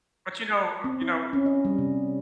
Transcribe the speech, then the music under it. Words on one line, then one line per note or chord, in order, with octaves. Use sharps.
But, you know, uh, you know
C4
E4
C#4
D#5
G3
C3